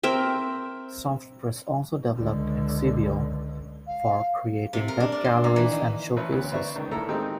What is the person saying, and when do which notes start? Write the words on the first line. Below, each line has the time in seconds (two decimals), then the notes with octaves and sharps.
Softpress also developed Exhibeo, for creating web galleries and showcases.
0.03 C4 A#4 E5 G5
2.16 C#2 D3
3.87 F5
4.73 C3
4.88 A#4
5.00 D4
5.12 D5
5.25 C6
5.44 A#3
5.56 E3
5.72 D#3
6.17 A1 B4 C#5
6.32 D2 B3
6.52 B4 C5 D5 E5 A#5 C#6
6.75 C#2 D#3
6.91 A2 A#3 D4 E4 A4 A#5
7.09 D#3 G#3 C4 D#4 G4